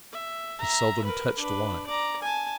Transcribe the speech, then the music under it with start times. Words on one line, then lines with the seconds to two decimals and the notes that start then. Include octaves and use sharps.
He seldom touched wine.
0.13 E5
0.59 E5 A#5
1.05 A#4 B4
1.39 D4 B4
1.87 D5 A#5
2.22 G#5 A5